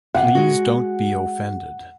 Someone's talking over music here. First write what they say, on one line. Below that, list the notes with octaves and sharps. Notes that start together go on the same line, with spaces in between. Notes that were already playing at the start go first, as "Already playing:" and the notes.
Please don't be offended.
C3 F#5
G#3 F#4